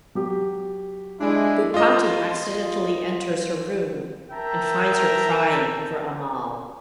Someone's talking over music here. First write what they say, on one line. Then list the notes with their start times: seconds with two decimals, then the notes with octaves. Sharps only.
Bhupati accidentally enters her room and finds her crying over Amal.
0.15 F#3 G4
1.21 G#3 D4 E4
1.74 F4 D#5
4.30 A#4 E5 G5 A5 A#5